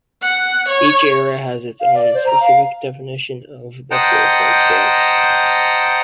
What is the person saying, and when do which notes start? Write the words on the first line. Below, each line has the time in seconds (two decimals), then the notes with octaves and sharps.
Each area has its own specified definition of the four-point scale.
0.22 F#5
0.68 C#5
1.80 F5
1.95 D5
2.14 C5
2.27 A#5
2.40 F5
3.91 C5 D#5 F#5 G5 A5 A#5